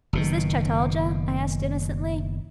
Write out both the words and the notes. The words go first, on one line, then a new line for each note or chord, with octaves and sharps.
'Is this Chataldja?' I asked innocently.
F#1 B2 D#3